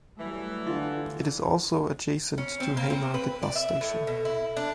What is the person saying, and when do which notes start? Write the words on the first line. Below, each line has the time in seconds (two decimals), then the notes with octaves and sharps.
It is also adjacent to Haymarket bus station.
0.19 E3 F#3 G3 A3
0.67 D3 F4
2.38 C#4
2.60 C4
2.77 A#3
2.90 C4
3.14 B4
3.43 D5
3.55 E5
3.81 A2
4.07 B2
4.25 E4
4.57 D4